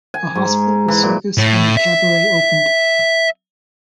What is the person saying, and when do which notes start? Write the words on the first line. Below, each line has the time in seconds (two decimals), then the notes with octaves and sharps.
A hospital, a circus, and a cabaret opened.
0.14 G#5
0.35 G#2
0.88 E3
1.03 A#2
1.38 A2
1.77 E5